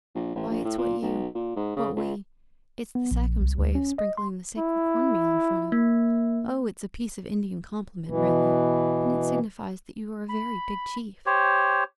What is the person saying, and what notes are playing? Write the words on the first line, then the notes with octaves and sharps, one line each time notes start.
'Why it's what you--what we--it's the Sachems' way of sprinkling the sacred corn-meal in front of--oh! it's a piece of Indian compliment really, and it signifies that you are a very big chief.
A#1
A1
A#1
A2
A#2
B1
A#2
G#2
C#3
C#2
B3
A#1
C2
D2
C#4
D#5
C6
E4
A#3
B2 E3
B5
G4 C5 C#5